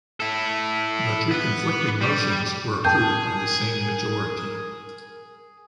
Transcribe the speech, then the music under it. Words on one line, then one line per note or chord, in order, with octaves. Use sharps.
The two conflicting motions were approved by the same majority.
E4 A4
B3 B4
G3
G#4 A#4 G5 A5 G6